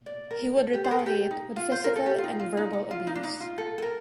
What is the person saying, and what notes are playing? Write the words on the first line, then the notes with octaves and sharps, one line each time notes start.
He would retaliate with physical and verbal abuse.
D5
A#4
A4
G4
C5
A#4
A4
G4
D#4
F4
C5
A#4
A4
G4
F4
D#4
F4
D#4
D#4
F4
D#4
D4
D#4
F4
A4
A4
A#4